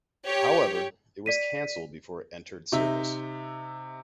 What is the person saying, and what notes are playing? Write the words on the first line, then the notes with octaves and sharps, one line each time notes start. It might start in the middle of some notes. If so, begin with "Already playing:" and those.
However, it was cancelled before it entered service.
G4 C#5
D5 B6 D#7
C3 D#4 E5